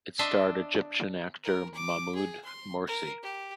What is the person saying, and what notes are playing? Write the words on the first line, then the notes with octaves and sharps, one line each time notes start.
It starred Egyptian actor Mahmud Mursi.
D4 D#5 E5 C6
A#4
D6
G#4
C6
A#4
G4